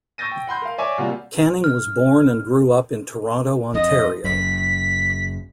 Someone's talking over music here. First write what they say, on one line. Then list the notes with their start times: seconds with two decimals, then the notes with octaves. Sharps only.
Canning was born and grew up in Toronto, Ontario.
0.18 C#6 E6 G6 A6 A#6 D#7
0.31 G5
0.47 F#5 B5 C6 G6
0.62 A#4 F5
0.78 C#5 D5 E5 G#5 C#6 D6
0.98 C3 G3 A#3 F4 F#4
1.64 F6
3.74 F2 D#5
4.24 F#1 F#2 B6